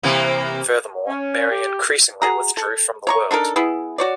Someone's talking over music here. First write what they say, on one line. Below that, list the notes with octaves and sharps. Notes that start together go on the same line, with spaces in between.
Furthermore, Mary increasingly withdrew from the world.
C3 E3 A#3
C#4
G4
F#4 G#4 A#5
A4
C#5 A#5 C#6
D4 D#4 A4 A#4
B3 E4 G#4
F#4 C#5 D5